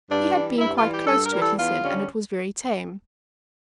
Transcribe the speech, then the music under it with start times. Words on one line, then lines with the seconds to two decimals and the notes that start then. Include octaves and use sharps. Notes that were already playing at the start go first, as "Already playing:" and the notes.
He had been quite close to it, he said, and it was very tame.
0.09 G2 D4
0.34 E3 G3
0.58 G2 E4
0.75 F4
0.82 E3 G3
0.91 G4
1.07 G2 A4
1.24 A#4
1.32 E3 G3
1.41 A4
1.57 E2 F4
1.80 D3 G3 C#4